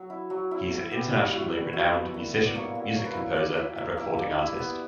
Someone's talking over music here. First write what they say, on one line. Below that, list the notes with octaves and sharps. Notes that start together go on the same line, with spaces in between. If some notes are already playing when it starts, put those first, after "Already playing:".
He is an internationally renowned musician, music composer, and recording artist.
Already playing: F#3
E4
F#3
E4
E4
B3 G4
G3
E4 F#4
G3
E4 F#4
B3
E4 A#4
B3
D5
A#3 C#5
A#3
A#3 C#5
B4
E4 C#5
E4 D5
E4 E5
A#3 E5
A#3 E5
G3 D5
E4
B3